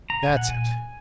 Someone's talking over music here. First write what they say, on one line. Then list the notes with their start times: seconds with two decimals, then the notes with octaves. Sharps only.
'That's it!
0.10 C3 A#5
0.23 G#5
0.29 A#2
0.37 F#5
0.48 A#2 G#5